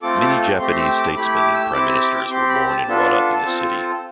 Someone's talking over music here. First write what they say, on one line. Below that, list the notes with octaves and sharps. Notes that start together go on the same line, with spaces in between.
Many Japanese statesmen and Prime Ministers were born and brought up in this city.
A3 C4 F4 A4 D6
D6
A3 C4 G4 C6
E6
D6
A3 E4 G4 B5
D6
E6
C4 E4 G4 D6
E6
D6
D6
C4 G4 C6
B5
A5
B3 D4 F4 A4
C4 F4 A4